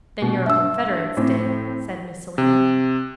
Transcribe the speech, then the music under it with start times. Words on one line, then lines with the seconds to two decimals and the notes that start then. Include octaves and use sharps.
'Then your confederates did,' said Miss Selina.
0.22 B2
0.46 G2 E5 E6
1.17 A2 C4
2.38 C3